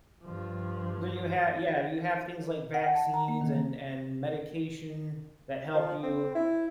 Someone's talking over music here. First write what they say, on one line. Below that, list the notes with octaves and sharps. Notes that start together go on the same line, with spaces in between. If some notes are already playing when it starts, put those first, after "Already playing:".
Do you ha yeah, you have things like vaccines and and medication that help you
G2 F3
F#5
A5
A#5
A#3
D#3
F3
C4
E4